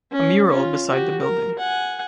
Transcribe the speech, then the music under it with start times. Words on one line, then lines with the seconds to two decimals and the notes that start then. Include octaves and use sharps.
A mural beside the building.
0.11 C#4
0.50 C#4 F4
0.89 F#4 G4
1.20 A#4
1.58 F#5 G#5